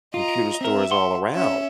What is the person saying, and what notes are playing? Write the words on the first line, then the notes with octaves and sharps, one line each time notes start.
computer stores all around
F4 D#5 A#5
C4 A#4 E5
F#5 C6
C#4 E5